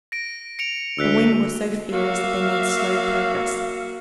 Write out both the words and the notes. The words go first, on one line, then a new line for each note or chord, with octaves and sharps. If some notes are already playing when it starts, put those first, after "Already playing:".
The wind was so fierce that they made slow progress.
A#6 D7
C#7 D7 F7
D2 E6 F#6 B6
A#3 F#4 E5 F5